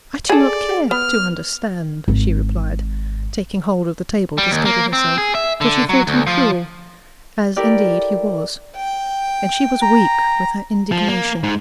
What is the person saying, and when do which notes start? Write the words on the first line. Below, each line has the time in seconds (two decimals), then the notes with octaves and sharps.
'I do not care to understand,' she replied, taking hold of the table to steady herself; for she thought him cruel--as, indeed, he was--and she was weak with her indignation.
0.29 G#4 A4 D5
0.91 B3 F6
2.08 G#1
4.38 G3
4.51 D#2
4.65 A#3
4.93 C4
5.18 G#4
5.35 E5
5.61 D3
5.89 F#3
6.07 D2
6.27 F3
7.56 E4 G4 A4 A#4 D5
8.76 G5
9.82 A#5
10.92 F3
11.08 A#3
11.44 G#2